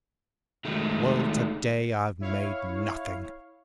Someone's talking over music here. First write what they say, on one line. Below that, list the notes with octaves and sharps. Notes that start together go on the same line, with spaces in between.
Well, to-day I've made nothing.
D#3 G#3 A3
E4 C#5 F5